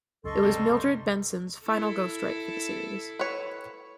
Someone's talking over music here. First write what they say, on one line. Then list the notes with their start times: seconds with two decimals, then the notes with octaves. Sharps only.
It was Mildred Benson's final ghostwrite for the series.
0.24 C#2 F#2 A4 D#5 C6 C#6
0.43 C3 G3
1.65 E4 A4
3.19 B4 C#5